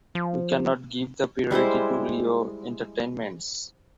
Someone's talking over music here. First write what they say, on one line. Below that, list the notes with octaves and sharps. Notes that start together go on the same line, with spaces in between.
We cannot give the priority to Lao entertainments.
F3
G3 G#3 E4 C5